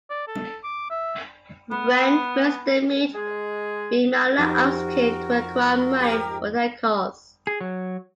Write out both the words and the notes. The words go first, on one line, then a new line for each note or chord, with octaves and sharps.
When first they meet, Bimala asks him to acquire money for their cause.
D5
A4
D6
E5
B3 B4
G#3 G#4
F2 D#4 F#4 G4 A#4 D#7
G#2 G4 A#4
G#4
F#3